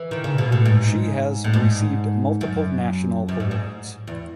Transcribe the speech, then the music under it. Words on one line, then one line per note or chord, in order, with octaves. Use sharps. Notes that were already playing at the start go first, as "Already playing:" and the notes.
She has received multiple national awards.
Already playing: E3
D#3
C#3
B2
A2
G#2
A2
G#2
F#2
F#2
G#2
G#2
E2